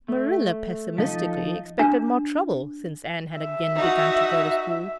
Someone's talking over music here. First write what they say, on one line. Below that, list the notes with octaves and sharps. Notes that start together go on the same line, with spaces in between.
Marilla pessimistically expected more trouble since Anne had again begun to go to school.
A3
F3 D#4 A4 D#5
D4
E5
D#4 F#4